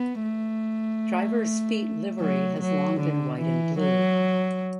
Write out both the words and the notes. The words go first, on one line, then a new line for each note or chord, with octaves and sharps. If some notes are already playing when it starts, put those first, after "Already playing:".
Driver's fleet livery has long been white and blue.
Already playing: B3
A3
F#3
F#3
D3
E3
F#3